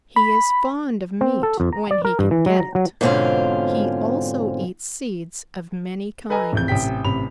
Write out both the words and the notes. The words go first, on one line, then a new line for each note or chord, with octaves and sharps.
He is fond of meat when he can get it. He also eats seeds of many kinds.
B5
C4
A4
F2
A#5
D5
A#4
G2
E3
F#3
A#5
F#3
G#2 B2 D3 C4 C#4 F4
A4 B4 D#5 G#5 A#5
D1 F2 G6
A1 C3 G5 B6
A1 C3 B5 F7